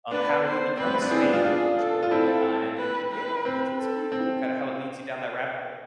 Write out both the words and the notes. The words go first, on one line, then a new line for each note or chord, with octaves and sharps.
Um, how did it become Spain, and Portugal, and whatnot? And and yeah, it it's it's really cool kinda how it leads you down that rabbit hole.
B3 D4 B4
C5
C4 B4
B3
C4
B3 D4
C4 E4 G#4
B3 D4
D4 F4
D4 F4 G#4
A4
F4
C4 E4 A4
B4
B4
C4
A4
C4